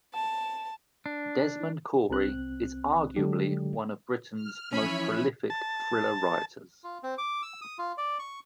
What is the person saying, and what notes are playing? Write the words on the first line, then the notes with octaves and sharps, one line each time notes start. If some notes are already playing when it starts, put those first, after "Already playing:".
Desmond Cory is arguably one of Britain's most prolific thriller writers.
A5
D4
C2 C4 F#6
D3 F#3 G#3 D4 G4
F6
E3 F3 C#4 E4 C#5 G#5 B5
A5
F4
C4
D6
E6
D#6
F4
D5
C#6